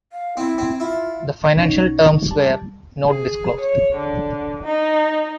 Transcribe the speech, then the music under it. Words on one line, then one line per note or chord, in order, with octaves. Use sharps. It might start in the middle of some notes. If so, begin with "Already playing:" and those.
The financial terms were not disclosed.
F5
C4 E4
C4
E4 F4
B1 B2 C#4 D#4 C#6
G3 A5
G#4
C#5
D3
D#4